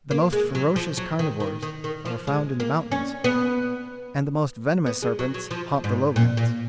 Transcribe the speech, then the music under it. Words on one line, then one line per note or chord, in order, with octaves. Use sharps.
The most ferocious carnivores are found in the mountains, and the most venomous serpents haunt the lowlands.
A#3
G#3
F#3
F3
F#3
D#3
D#3
D#3
D#3
F3
G#3
A#3
C#4
B3
B3
G#3
F#3
F#3
F3
G#2
A#2
A#2